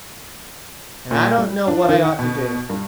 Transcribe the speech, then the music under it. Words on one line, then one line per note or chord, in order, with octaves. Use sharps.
And I don't know what I ought to do.
A#2
G3
D4
D#3
F#5
B2
G2